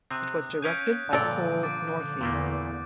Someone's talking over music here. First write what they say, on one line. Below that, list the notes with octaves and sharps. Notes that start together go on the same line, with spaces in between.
It was directed by Cole Northey.
C3 C4 D#6 F#6 D#7
C#4 F5 G#5 G6 D7 D#7
G2 A#2 D3 F3 A4 D5 A#5
D6 A6 D7
E2 A#2 D3 A3 A#3